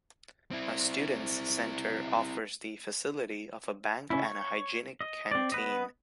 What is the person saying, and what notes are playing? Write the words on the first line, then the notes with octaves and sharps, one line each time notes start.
A Students' Centre offers the facility of a bank and a hygienic canteen.
C4 E4
C#3 C#4 E4
C#5
D#5
C4 D5
B3 B4 D#5